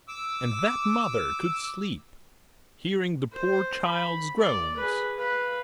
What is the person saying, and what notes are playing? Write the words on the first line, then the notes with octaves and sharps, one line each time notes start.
And that mother could sleep, hearing the poor child's groans!
D6 E6
C5
B5
D5
G#4 B4
B4 F5